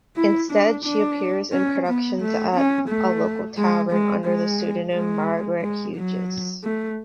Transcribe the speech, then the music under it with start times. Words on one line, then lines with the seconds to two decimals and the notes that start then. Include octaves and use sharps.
Instead, she appears in productions at a local tavern under the pseudonym Margaret Hughes.
0.16 E4
0.51 D4
0.85 D4
1.52 C#4
1.86 B3
2.21 A3
2.55 C#4
2.89 A3
3.57 G#3
3.91 G#3
4.25 G#3
4.94 G#3
5.61 G#3
5.96 F#3
6.64 A3